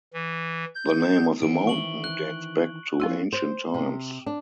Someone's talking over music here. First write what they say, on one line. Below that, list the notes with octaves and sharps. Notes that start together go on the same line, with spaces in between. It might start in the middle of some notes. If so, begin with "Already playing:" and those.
The name of the mountain dates back to ancient times.
E3
G6
D#3 E3 C4 D7
C#6 F#7 G7
F#6
F3 C4 C#4 E4 F4
C5
C3
D4